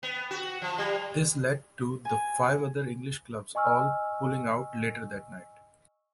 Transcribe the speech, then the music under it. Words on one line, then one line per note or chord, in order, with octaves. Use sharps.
This led to the five other English clubs all pulling out later that night.
B3
F#4
F3
G3
G#5
D#5 G#5 C#6 E6 F6